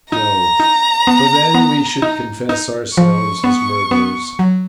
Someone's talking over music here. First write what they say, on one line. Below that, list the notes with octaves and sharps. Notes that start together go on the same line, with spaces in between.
No; for then we should confess ourselves as murderers.
D#4 A#5
D#4
B3
B3
D#4
D#4
F3 C#6
B3
B3
F#3